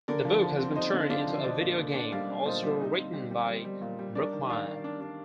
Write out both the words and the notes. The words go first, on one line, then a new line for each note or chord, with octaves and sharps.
The book has been turned into a video game, also written by Brookmyre.
D3 A#4 D5
F3
F3
C4
D#4 C5 D#5
D3
D3 D5 F5
F3
D4 C5 D#5
A#2
A#2
D4
G3 D5 F5
D4
A#2 C5 D#5
G3
D#4
C4
G3
G3
G3
G3
A#2
G3
D4 A#4 D5
D#3
D#3 D5 F5
D#3
D4
D4